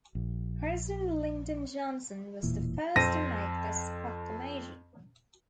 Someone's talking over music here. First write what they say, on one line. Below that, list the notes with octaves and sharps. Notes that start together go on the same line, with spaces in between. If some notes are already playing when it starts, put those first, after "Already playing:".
President Lyndon Johnson was the first to make this proclamation.
A#1
E1 A#2 E3
F2 C4 A#6 D#7